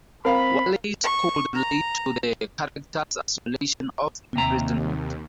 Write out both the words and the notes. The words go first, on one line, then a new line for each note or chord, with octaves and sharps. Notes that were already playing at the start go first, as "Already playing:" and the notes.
Wallace could relate to the character's isolation of imprisonment.
C4 A#4 F5 B5
C#6
A#5
D#2 C3 A#5